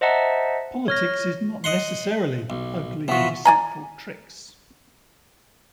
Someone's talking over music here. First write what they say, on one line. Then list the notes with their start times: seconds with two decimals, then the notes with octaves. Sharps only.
Politics is not necessarily ugly and deceitful tricks.
0.01 C5 D#5 E5 F#5 A5 A#5
0.88 C#5 F6 A#6
1.64 D#5 F#5 C6
2.50 B1
3.08 E3 F3 B3 F#4
3.45 D5 G#5 A#5